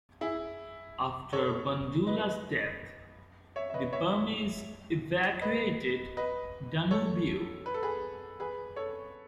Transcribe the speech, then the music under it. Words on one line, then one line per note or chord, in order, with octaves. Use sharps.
After Bandula's death, the Burmese evacuated Danubyu.
E4 G#4
A4 C#5
B4 D#5
C#5 E5
E5
B4 D#5
C#5 E5
B4 D#5
B4 D#5
A4 C#5
B4
A4
G#4 B4
G#4 B4
A4 C#5